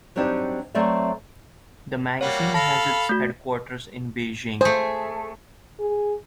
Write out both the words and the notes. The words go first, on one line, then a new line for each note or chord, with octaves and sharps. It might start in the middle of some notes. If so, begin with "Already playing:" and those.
The magazine has its headquarters in Beijing.
F#3 G3 C4 D4 D#4 G4
F#3 A3 C4 D5 E5
G3 A#3 F#4 C#5
A4 F5 A5 B5 A#6
A3 F#4
A3 G#4 C5
G#4